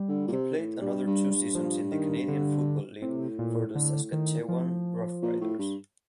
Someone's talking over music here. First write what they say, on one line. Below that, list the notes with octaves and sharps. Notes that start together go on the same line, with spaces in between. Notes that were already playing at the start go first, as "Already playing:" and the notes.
He played another two seasons in the Canadian Football League for the Saskatchewan Roughriders.
Already playing: G3
D3
A#2
C3
A2
G2 G3
G2
G2
F3
D#3
D3
A2 C3
A#2
D3
D#3
F3
A#2
A2
G2